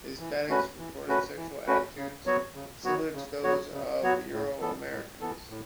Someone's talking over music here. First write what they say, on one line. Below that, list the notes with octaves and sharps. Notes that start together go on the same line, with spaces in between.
Hispanics reported sexual attitudes similar to that of Euro-Americans.
E3
A3 C#4 F#4 B4
E3
A3 C#4 F#4 B4
E3
A3 C#4 F#4 B4
C#3
F#3 B3 F#4 C#5
C#3
F#3 B3 F#4 C#5
C#3
F#3 B3 F#4 C#5
C#3
F#3 B3 F#4 C#5
A2
E3 B3 A4
A2
E3 B3 A4
A2